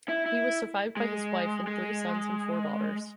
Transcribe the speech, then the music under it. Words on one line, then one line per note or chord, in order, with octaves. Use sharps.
He was survived by his wife and three sons and four daughters.
E4
E4
G#3
G#3